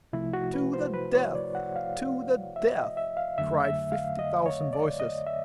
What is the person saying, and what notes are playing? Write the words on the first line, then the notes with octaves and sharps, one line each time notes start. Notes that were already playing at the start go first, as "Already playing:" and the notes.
"To the death! to the death!" cried fifty thousand voices.
C2 C3 F3 A3 E4
F#4
B4
C5
B4
C#5
D5
F#5
F5
E5
D#5
E5
F5
F2 D3 F#3 A3 E5
E5
F5
D#5
C#5
D5
D#5
E5